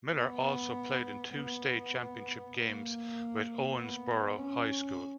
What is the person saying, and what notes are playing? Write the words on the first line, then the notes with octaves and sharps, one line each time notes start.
Miller also played in two state championship games with Owensboro High School.
B3
B3
A#3
B3
C#4